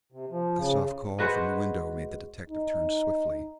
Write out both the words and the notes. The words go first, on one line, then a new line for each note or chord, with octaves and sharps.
A soft call from the window made the detective turn swiftly.
C3
F3
C#3
G#3 F#4 B4 C5 F#5
D#4